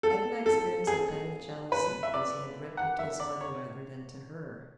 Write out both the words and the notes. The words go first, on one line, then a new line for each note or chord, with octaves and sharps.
Edna experienced a pang of jealousy because he had written to his mother rather than to her.
A4
A4
G#4
B4
E5
D5
F#5
E5
D5
C#5